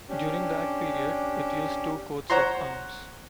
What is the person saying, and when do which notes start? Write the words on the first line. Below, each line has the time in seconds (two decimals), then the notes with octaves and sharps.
During that period, it used two coats of arms.
0.09 C#4 D4 G4
2.30 C5 C#5 F#5 A#5 C6